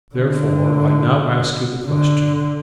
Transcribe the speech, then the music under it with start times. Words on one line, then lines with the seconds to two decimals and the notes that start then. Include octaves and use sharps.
Therefore I now ask you the question.
0.15 D3
1.86 D3